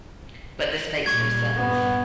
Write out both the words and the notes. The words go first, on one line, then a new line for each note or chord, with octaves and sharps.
But this makes no sense.
A#2 G3 C#6 G#6
G2 B3